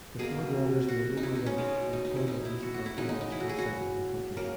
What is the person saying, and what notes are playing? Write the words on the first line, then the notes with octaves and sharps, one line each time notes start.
The floodwaters may overrun and flood an ancient archaeological site in the country.
B2 A#3 G#4
F#4
D#4
E4
D#4
C#4
B2 G#3 B3
D#4
D#4
E4
D#4
E4
F#4
F#4
E4
C#3 E3 G#3 B3 D#4
D#4
D#4
E4
F#4
G#4
F#4
C#3 F#3 A#3 A#4